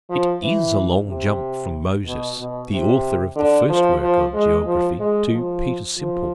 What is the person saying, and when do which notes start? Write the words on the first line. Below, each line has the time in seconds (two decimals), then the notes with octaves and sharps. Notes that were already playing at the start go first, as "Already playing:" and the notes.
It is a long jump from Moses, the author of the first work on Geography, to Peter Simple.
0.10 F3
0.43 E3
1.07 C3
2.06 B2
2.38 B2
2.71 C3
3.36 D3
3.69 F3
4.01 F3
4.34 G#3
4.66 F3
5.00 G#3
5.31 F3
5.97 F3